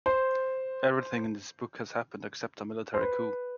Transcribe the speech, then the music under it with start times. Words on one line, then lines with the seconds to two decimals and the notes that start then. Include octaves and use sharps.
Everything in this book has happened except a military coup!
0.06 C5
2.94 C5
3.01 B4